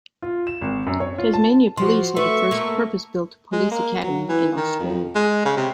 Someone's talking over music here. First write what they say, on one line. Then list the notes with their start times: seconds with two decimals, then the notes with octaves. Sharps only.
Tasmania Police had the first purpose-built Police Academy in Australia.
0.22 F4
0.47 E7
0.61 G#1
0.87 F#2
1.00 C#5
1.18 F4
1.34 A5
1.77 F3 F#4 C5 C6
2.16 A3 B4 E5 C#6
2.51 A3 A#3
3.52 G#3
3.71 A#3
4.03 F#3
4.29 E3
4.57 D#3
4.80 F2
5.15 G#3
5.45 C#3
5.57 C3